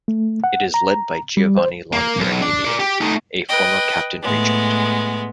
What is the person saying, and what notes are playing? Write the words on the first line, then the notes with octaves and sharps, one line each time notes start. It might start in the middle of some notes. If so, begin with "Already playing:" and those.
It is led by Giovanni Lonfernini, a former Captain-Regent.
A3
F#5
A#5
G3
C5
A#3
B1
D4
A#4 D5
G4
A3 D#4
B4 D#5 G5
A2 G#3 B3